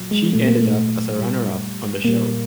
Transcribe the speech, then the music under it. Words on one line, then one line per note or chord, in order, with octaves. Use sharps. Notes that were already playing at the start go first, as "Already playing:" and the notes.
She ended up as runner-up on the show.
Already playing: A#2 F#3
G#3
A#2 F#3 A3
A#3
A3
A#2 G3
A#2 G3 A#3